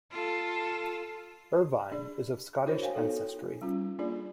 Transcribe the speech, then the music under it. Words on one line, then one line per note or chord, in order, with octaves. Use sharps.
Irvine is of Scottish ancestry.
F4 A4
D4 G#4 D5
D4 E4 F#4 A#4 C5 C#5
C#5 F5 G5 G#5
B3 D#4 F#4 A4
G3 C#4 F4
A#3 D4 F4 G#4 D5